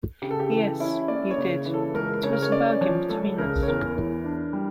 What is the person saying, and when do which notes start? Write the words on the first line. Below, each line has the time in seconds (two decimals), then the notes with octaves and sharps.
Yes, you did; it was a bargain between us.
0.22 C#3 G4
0.31 A4
0.40 G4
0.51 E3 A4
0.80 C#4 E4
1.08 A#3 D5
1.31 C#5
1.38 C#3
1.66 E3
1.74 A4
1.94 C#2 A#4
2.23 C#3 C#5
2.33 A#4
2.42 C#5
2.52 C#4 D5
2.81 F3 C#5
3.09 C#2 A4
3.38 C#3 A#4
3.63 C#5
3.68 E2 A#4
3.96 E3
4.24 D4
4.53 G3